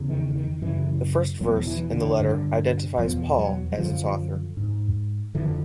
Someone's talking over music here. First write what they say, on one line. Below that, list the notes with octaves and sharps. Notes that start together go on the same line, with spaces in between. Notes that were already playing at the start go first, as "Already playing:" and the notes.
The first verse in the letter identifies Paul as its author.
Already playing: E2 C#3
D#3
D#3
F#2 C#3 E3
E2 B2 F#3
E3
D3
G2 D3
E2 B2 F3
F#3
F#3
F#2 D3 F3
G#2
F2 D3 E3